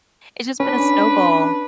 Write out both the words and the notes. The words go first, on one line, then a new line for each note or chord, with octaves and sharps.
it's just been a snowball.
C#4 D4 B4